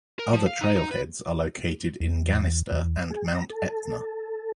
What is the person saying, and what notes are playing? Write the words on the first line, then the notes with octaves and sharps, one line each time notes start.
Other trailheads are located in Ganister and Mount Etna.
A#4
F3
F5
D#4
D#4
B4
E2
E2
G#4
A#5
A4